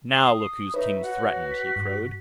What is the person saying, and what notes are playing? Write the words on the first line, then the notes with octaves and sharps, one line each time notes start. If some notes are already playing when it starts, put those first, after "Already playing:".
"Now look whose king's threatened!" he crowed.
D#6 C7
D#4 B4 C#5 E5
F#4 F#5
B6
G2